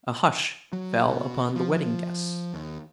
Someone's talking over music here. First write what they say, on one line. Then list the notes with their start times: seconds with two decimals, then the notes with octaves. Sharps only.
A hush fell upon the wedding guests.
0.73 F#3
1.06 B2
1.55 F3
2.54 D#2